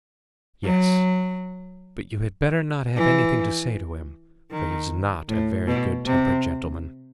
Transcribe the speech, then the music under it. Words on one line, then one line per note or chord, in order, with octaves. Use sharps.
"Yes; but you had better not have anything to say to him, for he is not a very good-tempered gentleman."
F#3
E3
D#3
A2
B2
C3